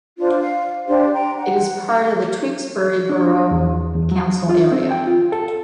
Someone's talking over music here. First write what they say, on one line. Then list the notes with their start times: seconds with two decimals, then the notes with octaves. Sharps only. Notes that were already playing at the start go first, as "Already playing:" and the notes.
It is part of the Tewkesbury Borough Council area.
0.19 D4 F4 C5
0.40 F5
0.87 D4 G4 C5
1.14 G5 A#5
1.38 F#5
3.09 D4
3.51 E2
3.95 E2
4.11 F#3
4.49 F4
4.72 C4
4.91 G5
5.07 F4
5.32 A4